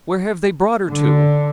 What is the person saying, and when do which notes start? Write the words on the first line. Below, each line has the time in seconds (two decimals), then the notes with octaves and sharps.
Where have they brought her to?'
0.90 D3